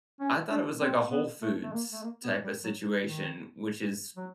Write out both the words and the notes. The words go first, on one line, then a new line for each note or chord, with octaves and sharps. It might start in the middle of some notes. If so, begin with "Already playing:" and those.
I thought it was like a Whole Foods type of situation, which is
C#4
D4
C4
B3
A3
A3
A#3
A3
A#3
B3
G3
F#3
D#3
F#3